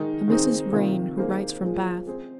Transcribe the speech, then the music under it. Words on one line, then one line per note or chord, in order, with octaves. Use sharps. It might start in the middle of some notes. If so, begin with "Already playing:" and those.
"A Mrs. Vrain, who writes from Bath."
Already playing: D#3 G#3 D#4 A#4
D#3 G#3 C4 D#4
C3 D#3 A#3 F4 A#4
A#3 D#4 G#4 C5
A#2 F3 G#3
G#3 C4 G#4 C5